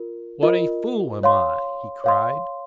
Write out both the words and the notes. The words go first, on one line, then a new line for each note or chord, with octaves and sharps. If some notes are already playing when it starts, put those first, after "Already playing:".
"What a fool am I!" he cried.
Already playing: F4 A#4
F4 A#4 D#5
C#5 F5 C6
C#5 F5 C6